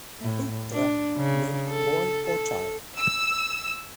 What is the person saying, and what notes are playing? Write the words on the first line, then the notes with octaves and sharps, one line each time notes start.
"Putra" meant boy or child.
A2
D4
C#3
A4
A4
E6